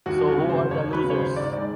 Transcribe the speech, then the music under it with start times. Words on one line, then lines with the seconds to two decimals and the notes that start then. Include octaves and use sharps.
So who are the losers?
0.06 D#2 F#4
0.22 F#3
0.28 F#4
0.38 C#3
0.49 C5
0.55 D#2
0.71 D#2 C#5
0.88 F#3
0.93 B4
1.04 C#3
1.10 C#5
1.14 C5
1.20 D#2
1.36 G#2 D5
1.53 G#3 D5